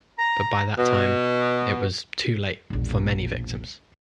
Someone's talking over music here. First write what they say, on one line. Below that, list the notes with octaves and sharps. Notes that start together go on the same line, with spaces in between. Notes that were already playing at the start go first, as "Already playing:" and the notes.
But by that time, it was too late for many victims.
A#5
B2
E1 A#1